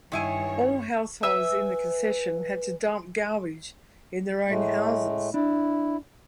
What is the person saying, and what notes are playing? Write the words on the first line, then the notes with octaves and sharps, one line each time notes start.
All households in the concession had to dump garbage in their own houses.
G2 D#3 E4 C#5 G#5
B4 E5 G#5 E6
A2 G#3 A3
D4 E4